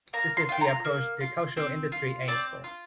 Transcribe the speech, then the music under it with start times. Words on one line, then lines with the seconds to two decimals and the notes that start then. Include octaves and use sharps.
This is the approach the cultural industry aims for.
0.13 A#3 A#5
0.37 C6
0.49 F4 G5
0.61 A#5
0.85 A#3
1.21 F4
1.57 C4
1.92 F4
2.28 C4 D5
2.64 F4